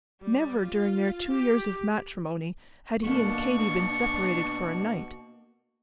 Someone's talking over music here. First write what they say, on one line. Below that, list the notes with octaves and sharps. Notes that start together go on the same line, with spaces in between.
Never during their two years of matrimony had he and Katy been separated for a night.
G3
F4
G4
B2 A#3 B3 D4 C#6